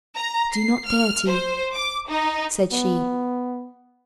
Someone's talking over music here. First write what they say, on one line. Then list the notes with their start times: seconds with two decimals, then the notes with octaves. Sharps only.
"I do not dare to," said she.
0.17 A#5
0.52 C7
0.87 F6
1.28 C5
1.74 D6
2.09 D#4
2.73 B3